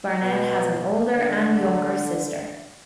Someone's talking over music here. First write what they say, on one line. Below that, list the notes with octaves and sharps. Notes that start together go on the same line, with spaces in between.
Barnet has an older and younger sister.
B2
D3